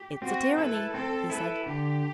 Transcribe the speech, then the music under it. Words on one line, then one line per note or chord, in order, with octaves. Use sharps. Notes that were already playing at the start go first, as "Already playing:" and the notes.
"It's a tyranny," he said.
Already playing: G4
C4 F#4
E4 A4 B4
C4 A4
E4 A4 B4
D3 G4